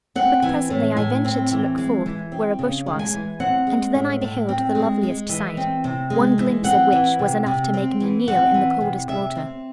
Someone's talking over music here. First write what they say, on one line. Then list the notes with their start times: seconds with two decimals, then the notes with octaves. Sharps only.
But presently I ventured to look forth where a bush was; and then I beheld the loveliest sight--one glimpse of which was enough to make me kneel in the coldest water.
0.16 C4 F#5
0.42 E3 G#5
0.70 A2
0.97 A2 G#5
1.25 C4
1.51 E3
1.78 G#3
2.06 E3
2.32 C4
2.59 C#3
2.86 G#3
2.99 G#5
3.14 E3
3.40 C4 F#5
3.67 G#3
3.95 A2
4.21 A2
4.49 C4
4.75 G#3
5.03 G#3
5.29 E3
5.57 C4
5.84 C3
6.10 G#3
6.38 E3
6.64 C4 F#5
6.93 E3
7.19 C3
7.46 C3
7.74 C4
8.00 E3
8.28 C4 F#5
8.54 E3
8.81 C3
9.08 C3 E5
9.36 C4